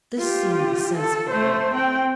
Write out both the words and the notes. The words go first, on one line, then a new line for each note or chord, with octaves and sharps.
This seemed the sensible way.
F4 G4
A4
A3 C5
C4 G5